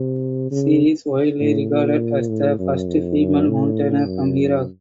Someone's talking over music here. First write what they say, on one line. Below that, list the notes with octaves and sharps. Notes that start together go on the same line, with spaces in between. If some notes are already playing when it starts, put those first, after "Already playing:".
She is widely regarded as the first female mountaineer from Iraq.
Already playing: C3
C#3
A2
A#2
A2
F#2
F2
F#2
A2
F#2